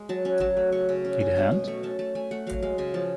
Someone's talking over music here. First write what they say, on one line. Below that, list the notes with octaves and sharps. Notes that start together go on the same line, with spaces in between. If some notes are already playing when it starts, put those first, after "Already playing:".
Need a hand?
Already playing: G#3
F#3 A5
C#4
F#3 A5
A3
C#3 C#6
C#3
C#4
C#4
B2
B2
A3 C#6
C#4 A5
A3 A5
A3 G#5
A3 F#5
F#3 F5
G#3 F5
C#3 G#5
F3 A5